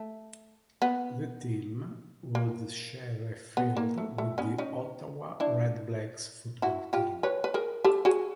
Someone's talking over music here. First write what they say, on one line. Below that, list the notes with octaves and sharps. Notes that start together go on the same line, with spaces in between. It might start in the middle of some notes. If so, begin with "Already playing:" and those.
The team would share a field with the Ottawa Redblacks football team.
Already playing: A3
B3
A#3
B3
A#3
A3
A3
B3 C#4
C#4 D#4
D4 E4
E4 F#4
F4 G4
B4 C#5
B4
G#4 A#4
G4 A4
F#4 G#4